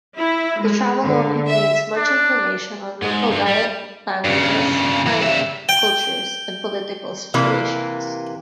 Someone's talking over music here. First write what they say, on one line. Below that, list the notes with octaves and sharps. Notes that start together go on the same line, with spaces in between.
The travelogue contains much information on local diet, languages, climate, cultures, and political situations.
E4
G#3
D3
E5
D4
G#2
G2
G3
G2 C#3
E3
C#3 E5
G5
C3 E3 A#3